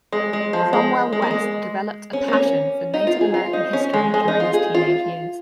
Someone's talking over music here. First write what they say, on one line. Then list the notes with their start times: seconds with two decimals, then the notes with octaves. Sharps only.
Cromwell West developed a passion for Native American history during his teenage years.
0.13 G#3
0.33 G#3
0.53 F3
0.73 G#3
1.13 G#3
1.22 A#3
1.31 G#3
2.13 C#4
2.28 A#3
2.33 C#4
2.94 D#4
3.07 F4
3.21 G#4
3.34 F4
3.53 D#4
3.73 C#4
3.94 G#3
4.14 G#3
4.28 D#4
4.40 F4
4.53 G#4
4.75 F4